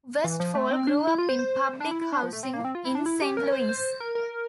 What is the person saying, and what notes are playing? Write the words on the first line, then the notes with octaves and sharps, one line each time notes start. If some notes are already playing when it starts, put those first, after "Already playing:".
Westfall grew up in public housing in Saint Louis.
E3
F3
A3
C4
D4
E4
F4
C5
C5
D4
E4
E4
D4
F3
A3
C4
A#3
C4
F4
E4
D4
E4
G4
A#4
C5
C5
A#4
A#4